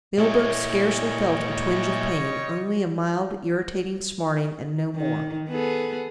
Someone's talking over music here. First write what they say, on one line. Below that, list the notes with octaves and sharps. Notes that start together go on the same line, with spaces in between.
Milburgh scarcely felt a twinge of pain, only a mild irritating smarting and no more.
A#2 G3 E4 C#5 D#5
D#3
B3 G#4 A4